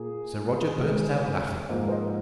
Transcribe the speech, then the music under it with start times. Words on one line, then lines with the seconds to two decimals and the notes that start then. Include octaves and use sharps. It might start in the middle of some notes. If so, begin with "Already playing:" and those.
So Roger burst out laughing.
Already playing: A#2 A#3 G#4
0.77 C3 G#3
1.69 G#2 F3 A#3
1.88 C5
1.92 D#5